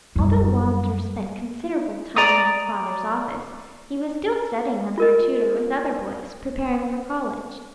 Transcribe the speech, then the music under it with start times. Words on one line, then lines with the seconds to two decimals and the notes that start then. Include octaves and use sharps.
Although Walter spent considerable time in his father's office, he was still studying under a tutor with other boys, preparing for college.
0.16 F#2 G3
2.16 D5 A#5 D#6
4.98 F4 A#4 D#5